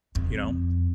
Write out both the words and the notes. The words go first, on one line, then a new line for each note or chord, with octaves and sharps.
you know,
F2